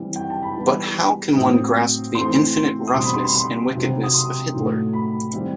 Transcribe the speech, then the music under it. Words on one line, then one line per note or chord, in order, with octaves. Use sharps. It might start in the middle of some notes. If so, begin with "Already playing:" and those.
But how can one grasp the infinite roughness and wickedness of Hitler?
Already playing: E3 G3 C4
G5
A5
B5
E3 G3 B3
A2 F#3 C4 D#6
E3 A3 C4 C6
D#6
B2 G3 C4 C6
B5
C6
C6
C6
C3 F#3 C4
D#6
C6
A2 F#3 A3
B5
E3 G3 C4